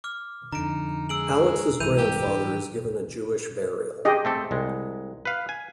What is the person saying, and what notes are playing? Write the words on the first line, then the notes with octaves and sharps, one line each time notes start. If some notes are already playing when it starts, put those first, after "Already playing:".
Alex's grandfather is given a Jewish burial.
D6 F6
F2 D3 D#4 A#5 D7
G#3 E6 D7 F#7
C2 G#2 E3 G6 D#7 F7
G4
G#2 D4
G4 G#4 D#5
A3 C4 A4
C2 G#3
B4 F5
G#5